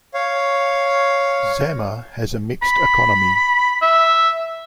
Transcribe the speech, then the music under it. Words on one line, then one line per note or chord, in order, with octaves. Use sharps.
Zama has a mixed economy.
C#5 F5
B5
E5